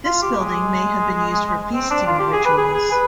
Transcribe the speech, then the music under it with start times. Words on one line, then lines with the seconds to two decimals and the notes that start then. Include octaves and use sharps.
This building may have been used for feasting rituals.
0.05 F4
0.22 G4
0.39 G#3
1.73 C4
1.91 D4
2.07 F4
2.20 G4
2.33 G#4
2.45 B4
2.57 G#4
2.74 G#4
2.92 B4